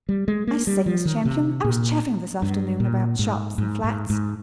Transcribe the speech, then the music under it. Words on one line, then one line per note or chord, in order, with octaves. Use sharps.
I say, Miss Champion, I was chaffing this afternoon about sharps and flats.
G3
G#3
A#3
G3
F3
D#3
C3
A#2
G2
A#2
G#2
G#2
G#2
G#2